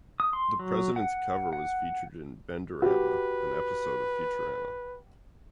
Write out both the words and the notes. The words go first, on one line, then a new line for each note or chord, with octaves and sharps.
The Presidents' cover was featured in "Benderama," an episode of "Futurama".
D#6
C6
F#3
F#5
F#5
F#4 G4 B4